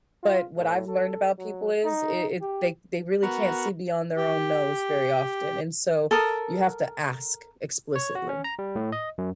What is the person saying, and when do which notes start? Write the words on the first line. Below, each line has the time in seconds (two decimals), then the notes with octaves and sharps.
but what I've learned about people is it it they they really can't see beyond their own nose very often, and so you have to ask explicitly.
0.23 F4
0.58 A2
0.88 A4
1.38 F#3
1.85 D#4
2.41 G4
3.23 B3 F#4 A#4
4.17 G4
6.11 A4 A#4 D#6
7.96 C#5
8.15 F#4
8.29 C#4
8.44 A#5
8.59 G3
8.76 A2
8.92 D#5
9.18 F#2